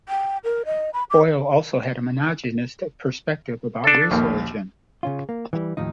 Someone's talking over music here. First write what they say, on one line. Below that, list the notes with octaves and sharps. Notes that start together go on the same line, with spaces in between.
Boyle also had a monogenist perspective about race origin.
G5
A#4
D#5
B5
D6
D4 A4
A#1 D#2 A#3
C#3 C#4 F4
A#3
E3 G3
D#2 A2 F3 D#4